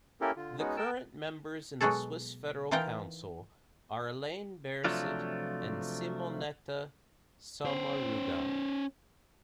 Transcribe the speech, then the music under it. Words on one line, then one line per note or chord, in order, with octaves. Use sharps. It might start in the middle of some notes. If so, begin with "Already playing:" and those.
The current members in the Swiss Federal Council are: Alain Berset and Simonetta Sommaruga.
A#3 C#4 E4 G4 A4 A#4
D3 F4
G#3 B3 C#4 D#4 F#4
A4 A#4 G5 A5 E6
B2 F#3 G#3 F#4 G#4 A4
E3 D#4 F4 A#4 G5 A#5
C3 F3 F#3 A3 D4 F4
C#4 C5